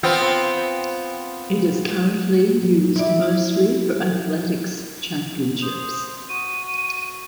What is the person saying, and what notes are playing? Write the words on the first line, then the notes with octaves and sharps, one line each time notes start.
It is currently used mostly for athletics championships.
B3 C4 F4
E4 D5
C5 D#6
F#4 D#7